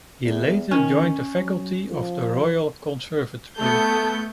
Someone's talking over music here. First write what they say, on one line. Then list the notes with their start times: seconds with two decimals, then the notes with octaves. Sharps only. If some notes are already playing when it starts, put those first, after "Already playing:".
He later joined the faculty of the Royal Conservatory.
0.25 E2
0.71 D#3 C#4
1.36 F#3
1.89 F3
3.58 A3 B3 A4 G6